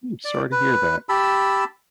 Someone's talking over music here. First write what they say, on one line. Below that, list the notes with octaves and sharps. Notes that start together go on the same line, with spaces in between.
I'm sorry to hear that.
D5
B4
G4 A5 B5 E6